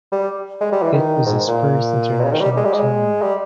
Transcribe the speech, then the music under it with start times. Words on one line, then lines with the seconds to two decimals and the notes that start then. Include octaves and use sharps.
It was his first international tournament.
0.12 G3
0.61 G#3
0.72 G3
0.83 E3
0.93 D#3
1.26 G#2
1.48 A#2
2.20 B2
2.24 C#3
2.32 D#3
2.41 G3
2.57 G#3
2.65 G3
2.73 G#3
3.22 G3